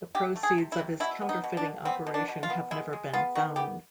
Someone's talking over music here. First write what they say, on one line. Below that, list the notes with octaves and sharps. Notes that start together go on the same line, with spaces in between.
The proceeds of his counterfeiting operation have never been found.
C3 G4
A3
G#4
C3
E4
C3
B2 E4
B3
D#4
B2
D4
B2
B3 C4
B2
D4
B2
F4
B3
G#3 E4
G#3
B3 F4
D#3 F#4
B3 G4